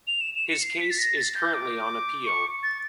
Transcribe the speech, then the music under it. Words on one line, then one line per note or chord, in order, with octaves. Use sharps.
His case is currently on appeal.
F7
E7
E7
C#7
C7
B6
A6
A#6
A6
G6
D6
C#6
A6